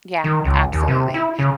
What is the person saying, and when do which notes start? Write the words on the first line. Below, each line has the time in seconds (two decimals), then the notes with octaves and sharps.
Yeah, absolutely.
0.24 D#3
0.44 C#2
0.72 D#2
0.88 C3
1.14 E4
1.39 C#3